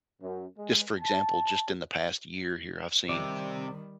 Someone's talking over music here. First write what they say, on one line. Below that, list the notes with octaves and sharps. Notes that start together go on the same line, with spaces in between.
just for example, just in the past year here, I've seen
F#2
G#3
A5
C3 D#3 G3 D5